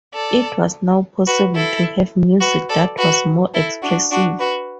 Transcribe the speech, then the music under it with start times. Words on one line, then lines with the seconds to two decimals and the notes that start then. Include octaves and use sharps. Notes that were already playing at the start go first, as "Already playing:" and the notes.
It was now possible to have music that was more expressive.
0.13 A4 D5
1.27 F#4 B4
1.55 E4 A4
2.40 F#4 B4
2.69 A4 D5
2.97 F#4 B4
3.53 E4 A4
3.82 D4 F#4
4.11 D4 F#4
4.39 F#4 B4